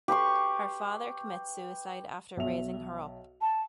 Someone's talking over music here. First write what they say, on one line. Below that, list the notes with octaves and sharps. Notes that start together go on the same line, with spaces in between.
Her father commits suicide after raising her up.
G4 B4 C6 C#6
B1 E5 F7
A5